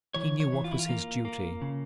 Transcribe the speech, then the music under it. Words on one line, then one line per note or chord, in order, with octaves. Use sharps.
He knew what was his duty.
E3 C#5
C#5
E3
F4
E4
F4
A#3
A#3
C#3